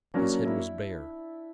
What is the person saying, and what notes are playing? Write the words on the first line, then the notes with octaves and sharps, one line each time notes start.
His head was bare.
F#3 A#3 C#4 D4
E4